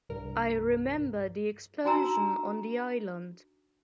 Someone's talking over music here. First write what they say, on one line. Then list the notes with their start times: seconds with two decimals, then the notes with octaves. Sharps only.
I remember the explosion on the island.
0.09 C2 G2 A#4
1.85 D4 D#4 F#4 G#5 A#5 E6